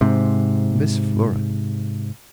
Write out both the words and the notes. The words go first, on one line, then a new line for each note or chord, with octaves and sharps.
Miss Flora!
G#2 C3